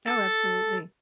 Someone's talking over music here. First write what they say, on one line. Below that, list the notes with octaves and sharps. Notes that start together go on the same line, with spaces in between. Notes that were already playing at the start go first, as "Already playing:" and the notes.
Oh, absolutely.
A4